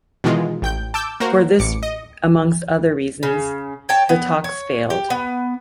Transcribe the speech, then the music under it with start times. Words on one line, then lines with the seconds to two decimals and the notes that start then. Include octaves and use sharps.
For this, amongst other reasons, the talks failed.
0.24 B2 D#3 E3 G#3 F4
0.62 A1 G5 G6
0.94 A5 D6 E6 G6
1.20 A#3 F#4 A#4 C5
1.60 A1 D6 C#7
1.83 D#5
3.23 C#3
3.89 C#5 G5 A5
4.09 B3
4.44 C#5
4.90 G4
5.10 B3